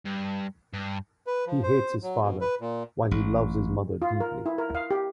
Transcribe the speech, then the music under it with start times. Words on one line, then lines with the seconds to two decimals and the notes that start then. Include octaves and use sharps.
He hates his father while he loves his mother deeply.
0.06 G2
0.74 G2
1.27 B4
1.47 F3
1.63 C5
2.03 F#3
2.22 B2
2.41 B4
2.61 A#2
3.11 A1
4.02 F4
4.20 A#4
4.46 E4
4.58 A#4
4.75 F5
4.91 G4